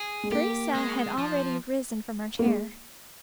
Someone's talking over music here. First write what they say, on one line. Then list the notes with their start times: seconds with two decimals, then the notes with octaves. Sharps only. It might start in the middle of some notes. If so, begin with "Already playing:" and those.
Teresa had already arisen from her chair.
Already playing: G#4
0.23 G#3
0.32 A#3 G4
0.75 G#3
1.18 F3
2.39 A#3
2.46 G#3